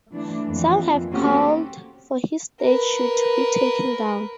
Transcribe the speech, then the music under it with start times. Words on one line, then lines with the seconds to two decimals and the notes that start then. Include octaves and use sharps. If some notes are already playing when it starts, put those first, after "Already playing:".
Some have called for his statue to be taken down.
0.12 E3 A3 D4
0.48 F2 E3 A#3
1.11 A#3 C4 C#4 F#4 G4 A4
2.61 A#4 B4